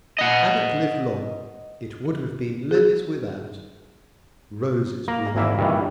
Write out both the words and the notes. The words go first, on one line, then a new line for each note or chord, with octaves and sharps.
"Had it lived long, it would have been Lilies without, roses within."
D#5 F#5
F#4 G#4
A#3 A#5
G#1 E3 A#3 E5
G2 A#2 D#3 E3